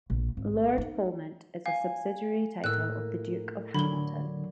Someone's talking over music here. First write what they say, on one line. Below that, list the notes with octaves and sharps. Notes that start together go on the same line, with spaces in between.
Lord Polmont is a subsidiary title of the Duke of Hamilton.
A#1
G#1
D#4
F5 G#5
A2 A#3 E6 F#6
D3 F#3 D4 B5 G#6 G7